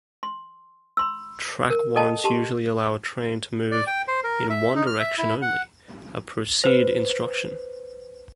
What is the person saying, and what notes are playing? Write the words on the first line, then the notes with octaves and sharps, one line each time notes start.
Track warrants usually allow a train to move in one direction only-a "Proceed" instruction.
C6
B5 C6 E6
A#4
A4 D#5 G5 A5
G4 A5 C6
D5
G5
C5
A#4
E5
D#4
F6
E5
E4
F#5
B4 C5